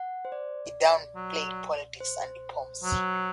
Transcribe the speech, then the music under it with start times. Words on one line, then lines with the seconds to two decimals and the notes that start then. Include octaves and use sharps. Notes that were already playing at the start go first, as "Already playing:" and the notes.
It downplayed politics and diplomacy.
Already playing: F#5
0.25 C5
0.32 D5
1.16 F#3
2.00 C5
2.84 F#3